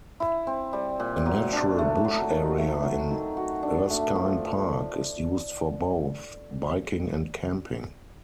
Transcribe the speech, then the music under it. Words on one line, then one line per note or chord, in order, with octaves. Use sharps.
A natural bush area in Erskine Park is used for both biking and camping.
E4
C4
G3
A#2
F#3
D4
A3
F#3
D#3
A3
F#3
D#3
F#4
D4
A3
F3